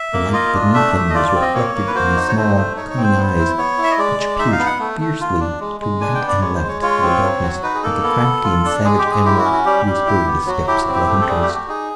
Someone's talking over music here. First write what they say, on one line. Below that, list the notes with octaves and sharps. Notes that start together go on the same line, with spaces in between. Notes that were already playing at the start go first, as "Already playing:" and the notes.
The light beneath him was reflected in his small, cunning eyes which peered fiercely to right and left through the darkness like a crafty and savage animal who has heard the steps of the hunters.
Already playing: E5
A#3
F4 D#5
D4
A3 E5
A3
D#5
F4 D5
D5
C4
D#5
A#3 C#5
A#3
B4
F#4 C5
D#4
C#5
A3 C5
A3
D#4 C#5
C#5
C4
C5
B3
E4
B3 C#5
E4
E5
D#5
G#3 D5
G#3
D#4 E5
F5
B3
F#5
A3
A3
F4
D4
G#3
G#3
D4 G#5
G5
B3
D5
G#3 C#5
C5
G#3
C#5
F4 C#5
C4
F#3
F#4
D#4 B4
G#4
A#3 A4
B3
B3
F4
D4
G#3 G#4
G4
G#3
G#4
E4 G4
F#4
C#4
F#4
G3 G4
G3
E4
B3
F#3 F#4
E4 G4
F#4
C4
G4
A3
A4
G3 G#4
G4
F#4
G4
D#4 G#4